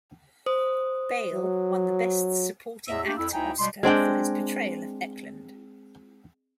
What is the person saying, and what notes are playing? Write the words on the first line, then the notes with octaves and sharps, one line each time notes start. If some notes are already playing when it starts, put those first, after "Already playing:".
Bale won the Best Supporting Actor Oscar for his portrayal of Eklund.
C5 D#6
F#3
E2 A2 D#5 E5 E6
A3 A#3 D4 G4
F2 E4 E6
D2 D#4 E4 G5 G#5 A#5
B2 G3 G#3 C6
G#3 C4 D4 G5